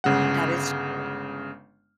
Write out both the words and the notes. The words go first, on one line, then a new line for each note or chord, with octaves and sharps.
That is true.
G1 C#3 G#3 F#5